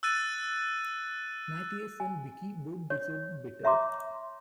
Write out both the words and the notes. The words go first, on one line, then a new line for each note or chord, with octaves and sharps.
Matthius and Vickie both deserved better.
E6 F#6 A6 D#7
G#5
C#5
C#5 E5 A#5 C6 D6